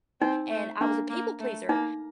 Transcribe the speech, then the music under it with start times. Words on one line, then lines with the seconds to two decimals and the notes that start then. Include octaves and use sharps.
and I was a people pleaser,
0.21 C4 D#4
0.51 A3
0.81 A#3 D4
1.10 A#3
1.40 A3
1.69 A#3 D#4